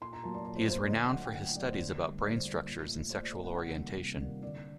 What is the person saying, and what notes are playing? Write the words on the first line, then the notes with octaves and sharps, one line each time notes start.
He is renowned for his studies about brain structures and sexual orientation.
A#2 C6
A#5
F#3 A#3 A5
D5
A#2 D5
C5
F#3 A#3 C5
D5
D3 D#5
F#3 A3 F#5
G5
D3 F#5
F#3 A3 D5
C5
D3 D5
G3 A#3
D3 D5
C5
G3 A#3 D5
A#2
A3
A#2 C5
D5
A3 D5
F#5
C3 F#5
D#3 G3 A#3
C3
D#3 G3 A#3 D5
D3 D5